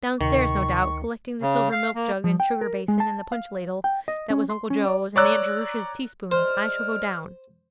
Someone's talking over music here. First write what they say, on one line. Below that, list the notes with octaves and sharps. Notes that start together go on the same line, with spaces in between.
'Downstairs, no doubt, collecting the silver milk-jug and sugar-basin and the punch-ladle that was Uncle Joe's, and Aunt Jerusha's teaspoons. I shall go down.'
D2 C3 D#3 C#6 C#7
C#3
F5
A#3
F3
G5
A#4
G#3
A5
F5
G5
D#5
C#4
C6
C#4
D5
C#5 D5 A#5 E6 F#6
G#3 C5 D5 F6